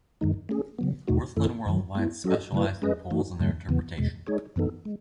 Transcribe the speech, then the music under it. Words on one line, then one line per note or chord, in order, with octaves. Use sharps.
Wirthlin Worldwide specialized in polls and their interpretation.
F#2 D#3 G#3 D#4
A3 C#4 G#4
C#3 F#3 B3
E2 B2 A3 D#4 F#4
F#2 D#3 A3 E4 A4
F#2 D#3 F#3
G#3 B3 E4
F#3 C#4 F#4 A4 D#5
C#3 F#3 A3 E4 B4
G#3 C#4 G#4 B4 D#5
E3 A3 D#4 F#4
F#2 C#3 F#3 A3
E2 C#3 E3 B3
E2 B2 G#3
G#3 D#4 G#4 C#5
F#2 E3 B3 D#4 A4
G#3